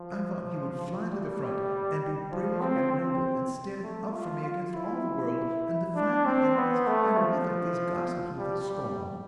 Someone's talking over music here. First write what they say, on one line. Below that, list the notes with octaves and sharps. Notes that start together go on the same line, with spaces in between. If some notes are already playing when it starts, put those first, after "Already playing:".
I thought he would fly to the front, and be brave and noble, and stand up for me against all the world, and defy my enemies, and wither these gossips with his scorn!
Already playing: F3
G3
F3
C4
C4
A3
F4
F4
E4
D4
C4
B3
A3
F3
G3
G3